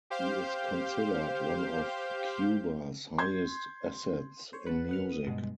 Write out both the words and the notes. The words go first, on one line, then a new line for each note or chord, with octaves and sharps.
He is considered one of Cuba's highest assets in music.
G4 C5 F5 G6
C6 G6 G#6
C5 C#5
B4 F#5 A5
B3 F#5 F6
D#6
G2 B2 G#3